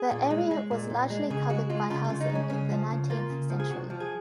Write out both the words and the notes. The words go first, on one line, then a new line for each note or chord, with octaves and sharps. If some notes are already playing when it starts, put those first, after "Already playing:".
The area was largely covered by housing in the nineteenth century.
Already playing: G#4
A#2
G#3
G#3
A#2
A#2
G#3
C#3 G#4
G#3 F#4
G#3 F4
C#3 F4
F4
C#3
D#4
G#3
C#4
C#3 C#4
F3
C#3
A#3 F4
C#3
F3
G#4
C3 F#4
F3
G#4